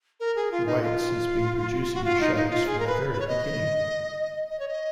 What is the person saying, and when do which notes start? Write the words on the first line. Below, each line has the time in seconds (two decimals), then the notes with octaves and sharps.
Waites has been producing the shows from the very beginning.
0.20 A#4
0.36 G#4
0.52 F4
0.66 D#4
0.82 F4
1.94 F#4
2.04 F4
2.21 D#4
2.36 D#4
2.50 F4
2.67 G#4
2.79 A#4
2.87 B4
3.13 B4
3.20 C#5
3.28 D#5
4.51 D#5
4.59 C#5
4.68 D#5